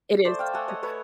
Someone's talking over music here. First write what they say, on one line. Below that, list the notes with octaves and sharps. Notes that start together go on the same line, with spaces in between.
It is.
A3 C5 D5
F5 G5
A3 F#5 G#5
C#5 D#5
A3 B4 C#5